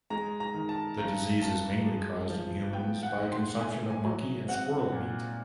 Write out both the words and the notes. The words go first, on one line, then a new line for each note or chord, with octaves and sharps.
The disease is mainly caused in humans by consumption of monkey and squirrel meat.
G#3 A#5
A#5
D#3
A5
G2 A#5
G2 A5
G#3
F3
B3 G5
F#5
G#2
C6
A3 G#5
G#5
F#3
C4 F#5
A#2